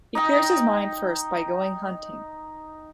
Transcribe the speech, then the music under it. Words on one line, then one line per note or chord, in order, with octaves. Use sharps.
He clears his mind first by going hunting.
D#4 D#5 G5